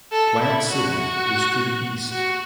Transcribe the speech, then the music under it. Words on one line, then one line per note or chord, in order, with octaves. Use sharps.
Plant City is to the east.
A4
E4
F#4
F#4
F#4